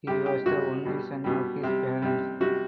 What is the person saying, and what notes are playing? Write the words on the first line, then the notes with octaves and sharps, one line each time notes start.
He was the only son of his parents.
C3 G3 G4
G4
C3 G3 F#4
B2 G3
B2 G3
C3 G3
C3 G3
C3 G3 F#4